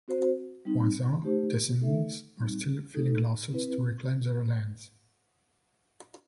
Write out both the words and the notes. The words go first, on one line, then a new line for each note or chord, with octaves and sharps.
Voisin descendants are still filing lawsuits to reclaim their lands.
C4 F#4 C5
G3 C4 D#4
A3 D#4 G4 C5
A3 D#4 A4 E5
G3 C4 D#4
A3 D#4 A4
C4 E4 B4